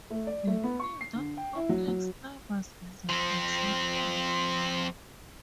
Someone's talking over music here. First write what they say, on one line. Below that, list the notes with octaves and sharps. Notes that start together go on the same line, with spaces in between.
The field of complex numbers is an example.
A3
D5
A3
B3
C#6
C7
D3
G5
E4
F#3
F#3
F3 C4